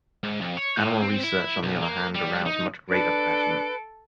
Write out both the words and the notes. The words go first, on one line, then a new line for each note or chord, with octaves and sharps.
Animal research, on the other hand, aroused much greater passion.
G#2
F2
C#5
A2
C4
E4
B1
A#3
G3
D#4
D4 A4 B4 D7